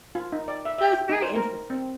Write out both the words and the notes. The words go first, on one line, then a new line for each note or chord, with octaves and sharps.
So, it's very interesting.
F4
D#4
D5
E5
E5
G5
D#4
C5
A#4
C4